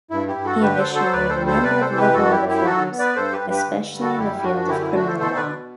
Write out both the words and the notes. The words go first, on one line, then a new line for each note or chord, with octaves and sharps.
He initiated a number of liberal reforms, especially in the field of criminal law.
G2 E4
E4 G4
G2
F#4 A4
D3 G4 B4
A4 C5
F#3
A4 C5
D2 B4 D5
A4 C5
G3
A4 C5
C3 B4 D5
A4 C5
E3
G4 B4
F#2 F#4 A4
E4 G4
F#2
E4 G4
F#3 F#4 A4
B3
B4 D5
G2 A4 C5
G4 B4
G2
G4 B4
D3
G3
F#4 A4
F#2 E4 G4
F#2 D4 F#4
D3 E4 G4
E4
A3 D4 F#4
A4 C5
B2 A4 C5
B4 D5
B2